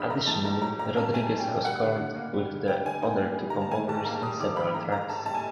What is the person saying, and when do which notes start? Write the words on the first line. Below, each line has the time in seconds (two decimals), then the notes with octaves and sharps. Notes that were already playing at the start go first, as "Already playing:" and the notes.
Additionally, Rodriguez co-scored with the other two composers on several tracks.
Already playing: E2 G#2 E3 D4 B5 D#6
0.10 A3 A#5
0.27 E3 A5
0.44 G#2 A#5
0.62 F#3 A#5
0.79 A#2 A#5
0.96 C#4 A5
1.13 A3 G#5
1.31 F#3
1.40 G5
1.47 A#2
1.65 G3 F#5
1.82 D3
2.00 D3
2.16 A#3
2.33 G3
2.51 D3
2.68 G3 G5
2.85 D3 G#5
3.02 D#4 G5
3.20 A#3
3.38 G3
3.50 D3 A#5
3.61 A5
3.71 D#3 G#5
3.88 G#2 A5
4.05 A#3 A#5
4.22 G3 D#6
4.39 D#3 D6
4.57 G#2 B5
4.74 E3 A#5
4.91 A2 A#5
5.09 A2 A5
5.26 G3 A5
5.35 G#5